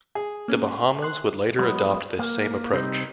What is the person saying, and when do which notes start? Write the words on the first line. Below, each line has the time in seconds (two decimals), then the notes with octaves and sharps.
The Bahamas would later adopt this same approach.
0.15 G#4
0.48 A#3 C#4
1.02 C6 F#6
1.59 F#3 G#3 B3
2.19 A#3
2.73 C3 G3 C4 D#4